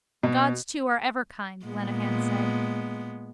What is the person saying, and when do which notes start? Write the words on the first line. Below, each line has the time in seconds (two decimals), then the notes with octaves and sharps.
The gods too are ever kind, Lenehan said.
0.23 B2
1.65 A#2 G#3 B3